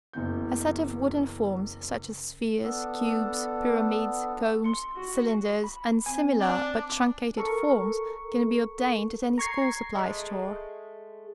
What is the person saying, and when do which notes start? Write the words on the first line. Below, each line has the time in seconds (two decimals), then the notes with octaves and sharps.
A set of wooden forms, such as spheres, cubes, pyramids, cones, cylinders, and similar, but truncated, forms, can be obtained at any school supply store.
0.13 F#1 E3 B3 G6
2.63 B3 D4 A4
4.64 C6 C#7
4.96 F#4
5.64 B5
6.06 C4 G#5
6.40 D4 D6
7.37 A4 A#4 C#6
9.38 A#5 C#6 G#6 C7
9.95 G#3 A3